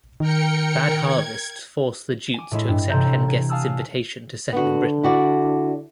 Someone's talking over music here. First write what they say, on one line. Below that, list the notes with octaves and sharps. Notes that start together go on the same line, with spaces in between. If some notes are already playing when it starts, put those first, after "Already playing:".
Bad harvests force the Jutes to accept Hengest's invitation to settle in Britain.
D#3 A#4 G5 C#7
G#6
G#5 D6
A2 G#3 E4
G2
A1 C3 A4 A#5 G6
G#6
F5 G#5 A5 D#6 E6 F#6
D3 B3 F#4
E4 F#4 D5